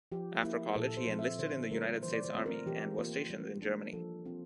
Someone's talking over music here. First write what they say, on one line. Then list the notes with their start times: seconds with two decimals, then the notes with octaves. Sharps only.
After college, he enlisted in the United States Army, and was stationed in Germany.
0.12 F3 G4
0.43 A#3 E4
0.76 A#2 A4
0.97 C5
1.08 F3 C4
1.19 E5
1.39 D3 C5
1.71 G3 A#3 F4 A#4
2.03 E3 C5
2.13 D5
2.24 C5
2.35 A3 C4 F4
2.46 A#4
2.66 E3 G4
2.98 A#3 F4
3.30 G3
3.62 A#3 D4
3.93 F3 A4
4.26 C4 F4